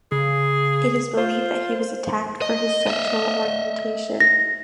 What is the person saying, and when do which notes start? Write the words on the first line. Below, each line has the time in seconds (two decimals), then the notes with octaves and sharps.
It is believed that he was attacked for his sexual orientation.
0.12 C#3 G#4
1.17 F4 C5
2.42 D#5
2.87 D#5 E5
4.20 A#6